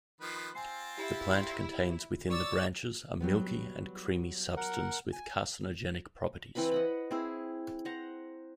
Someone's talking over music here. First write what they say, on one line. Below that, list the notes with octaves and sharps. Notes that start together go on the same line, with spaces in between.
The plant contains within the branches a milky and creamy substance with carcinogenic properties.
D#3 F3 B4 F#6
C4 F4 C5 G#5 C7
E4 G4
C#5 D5 D6 E6 A6
F#3 G3 B3
A#4 F#5
G#5
E3 C4 B4 B5
D#5 F#5 B5
C4 E4 G#4
C5 F#5 A#5